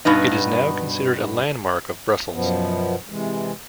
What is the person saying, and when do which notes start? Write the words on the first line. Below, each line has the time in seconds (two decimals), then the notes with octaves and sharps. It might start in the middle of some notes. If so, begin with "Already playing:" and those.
It is now considered a landmark of Brussels.
0.05 G2 B2 B3 D#4
2.32 F#2 B2 F3 B3
3.09 C3 E3 G#3